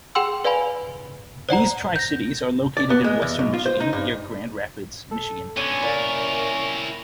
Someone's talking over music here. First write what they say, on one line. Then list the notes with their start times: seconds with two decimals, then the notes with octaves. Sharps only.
These tri-cities are located in Western Michigan, near Grand Rapids, Michigan.
0.15 G#4 F#5 G5 C6 E6
0.44 B4 D5 F5 G#5 B5
1.49 C5 D5 F#5 A#5
1.96 G6 A#6
2.77 D5
2.90 B3
3.04 G#3
3.22 E2
3.39 B1
3.53 F4
3.66 C5
3.80 D#4
3.93 G2
5.11 A4
5.57 D3 B3 C#4 G#5
5.83 A#2 E4 A#4